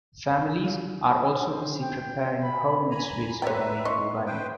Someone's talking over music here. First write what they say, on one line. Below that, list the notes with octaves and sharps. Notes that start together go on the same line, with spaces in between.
Families are also busy preparing homemade sweets for main Diwali.
C5
G5
B5
G#5 A#5 B5
B4 C#5 D5 E5 G5 A#5
D#5 C6 C#6
B3
B4 C5 G5